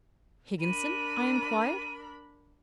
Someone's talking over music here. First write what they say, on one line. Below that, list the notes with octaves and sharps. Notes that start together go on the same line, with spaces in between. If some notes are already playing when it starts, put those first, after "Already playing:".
'Higginson?' I inquired.
D4 A#4 B5 D#7